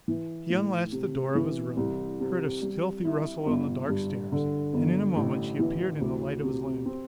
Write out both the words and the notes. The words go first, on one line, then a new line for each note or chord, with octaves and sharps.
He unlatched the door of his room, heard a stealthy rustle on the dark stairs, and in a moment she appeared in the light of his lamp.
E3
A2
C3
E3
C2
C3
G3
E4
G1
G2
D3
G1
A1
E3
D2
C3
C4